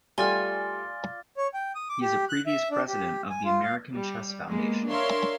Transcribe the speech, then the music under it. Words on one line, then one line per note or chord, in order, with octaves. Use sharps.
He is a previous President of the American Chess Foundation.
G3 A3 F4 D5 G#5 F6 A6 G7
C#5
G5
D#6
D6
G4
F#6
E5
D4
G4
G#5
F4
F5
G3
G#3 A#3 B3
D4 A#4 C#5 E5 F5 C6